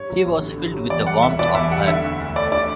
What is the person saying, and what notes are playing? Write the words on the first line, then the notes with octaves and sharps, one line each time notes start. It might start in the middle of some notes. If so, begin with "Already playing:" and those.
He was filled with the warmth of her.
Already playing: G2 C#5
F#3
A1
D3
G2
F#3
E2 D5
G3 F#5
E1 E5
B2 D5
E2 E5
G3 F#5
D3 E5
D2
D2
A3 D5
D3 D5